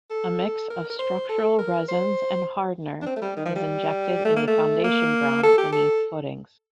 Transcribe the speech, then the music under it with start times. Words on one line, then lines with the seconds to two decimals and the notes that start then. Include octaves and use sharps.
A mix of structural resins and hardener is injected into foundation ground beneath footings.
0.11 A4
0.70 A#4
0.90 A#4
0.99 C5
1.29 A4
1.59 A#4
1.88 C5
3.02 D4
3.06 C4
3.16 A3
3.22 G3
3.36 D#3
3.46 F3
3.56 G3
4.25 A3
4.36 A#3
4.48 A3
4.84 A#3
5.43 A4
5.58 G4
5.72 A4